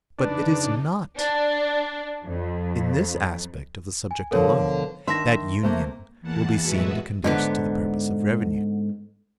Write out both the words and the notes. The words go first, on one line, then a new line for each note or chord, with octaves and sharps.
But it is not in this aspect of the subject alone that Union will be seen to conduce to the purpose of revenue.
F2 C#3 D4 D#4 B4
D4
F2
G#5
B2 D3 F3 A4 A#4 C#5
D#3 D4 E5 C6 A#6
C3 A3 A#3
E2 E3 A#3 F#5 A5
A2 G#3 B3 F#4 B4 E5
G#2 D3 B3